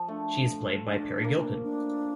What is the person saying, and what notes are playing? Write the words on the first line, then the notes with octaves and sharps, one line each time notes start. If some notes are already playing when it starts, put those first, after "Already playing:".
She is played by Peri Gilpin.
Already playing: F3
A3 D4
D4
A#3
D4